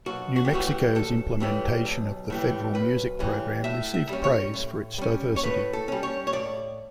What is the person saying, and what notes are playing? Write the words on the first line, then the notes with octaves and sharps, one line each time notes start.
New Mexico's implementation of the Federal Music Program received praise for its diversity.
B1 F#4
F#4
G4
A2 E3 G3 F#4
F#4
B1 A4
A2 E3 G3
B1
A2 E3 G3
B1 B4
A2 E3 G3
A2 E5
E5
G3 C#4
C#5
A2
G3 C#4
C#5
A2 B4
A4
G3 C#4
C#5
C#5
A2 D5